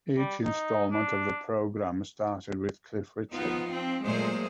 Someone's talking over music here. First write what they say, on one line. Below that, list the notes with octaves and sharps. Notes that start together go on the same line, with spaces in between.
Each instalment of the programme started with Cliff Richard.
G3
D#4
D4
F3 B3 D#4 F4
F3 C4
A#2 F#3 G#3 A3 G#4 C5